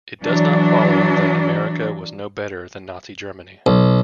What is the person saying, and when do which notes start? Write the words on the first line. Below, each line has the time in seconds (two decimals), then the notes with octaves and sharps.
It does not follow that America was no better than Nazi Germany.
0.22 E3 F#3 D4
3.66 B1